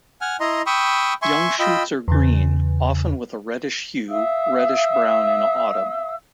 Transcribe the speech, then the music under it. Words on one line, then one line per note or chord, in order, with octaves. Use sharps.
Young shoots are green, often with a reddish hue, reddish-brown in autumn.
F#5 G#5 F6
E4 D#5 A#5 C6
G5 B5 C#6 D#6 E6
E5 G#5 C6 C#6
F4 D#5 G5 B5 E6
E2 C#3
E5 F5 D#6 E6